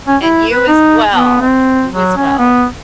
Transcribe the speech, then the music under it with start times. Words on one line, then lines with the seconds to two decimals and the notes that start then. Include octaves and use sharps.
And you as well. You as well.
0.08 C#4
0.22 E4
0.51 B4
0.68 D#4
1.13 B3
1.41 C4
1.92 F#3
2.17 C#4
2.39 B3